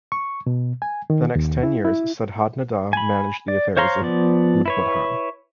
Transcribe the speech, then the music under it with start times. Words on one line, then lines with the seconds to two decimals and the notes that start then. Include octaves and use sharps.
For the next ten years Shuddhananda managed the affairs of Udbodhan.
0.12 C#6
0.47 B2
0.82 G#5
1.10 D#3
1.36 D#2
1.63 E4
1.85 E4
2.93 G#5 B5
3.48 D5
3.77 C5 C#5 F5 A#5 C6
4.02 F3 B3 D5
4.66 E4 B4 C#5